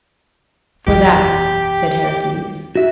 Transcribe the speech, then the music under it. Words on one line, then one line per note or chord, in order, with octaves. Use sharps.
"For that," said Heracles.
F#1 B1 E2 G4
F#4 E5